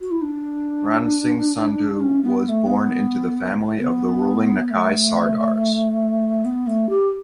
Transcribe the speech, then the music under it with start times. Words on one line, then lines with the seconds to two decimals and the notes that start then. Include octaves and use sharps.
Ran Singh Sandhu was born into the family of the ruling Nakai Sardars.
0.01 F#4
0.11 E4
0.22 D4
2.00 C#4
2.23 B3
2.45 B3
2.49 A3
2.66 B3
3.79 B3
4.67 B3
4.70 A3
6.45 B3
6.67 A3
6.89 G4